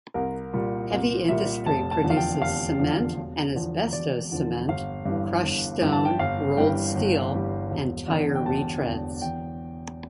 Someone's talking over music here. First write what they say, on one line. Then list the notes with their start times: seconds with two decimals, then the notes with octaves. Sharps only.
Heavy industry produces cement and asbestos cement, crushed stone, rolled steel, and tire retreads.
0.14 C2 A#4
0.53 A#2 G3
0.91 C2
1.28 A#2 G3 E5
1.65 F1 A5
1.91 A5
2.04 E2 D3 F3
2.10 F5
2.17 G5
2.42 F1 F5
2.79 E2 D3 F3
3.17 E1
3.54 E2 D3 F3
3.92 E1 D5
4.31 E2 D3 F3
4.68 G1 F5
5.05 G2 E3
5.43 G1
5.81 G2 E3
5.92 A5
6.05 G5
6.19 G1 F5
6.57 G2 E3 G3 G5
6.95 G1
7.33 G2 E3 G3
7.71 E1
8.08 E2 D3
8.35 G5
8.46 E1 A5
8.83 E2 D3
9.22 E2 G5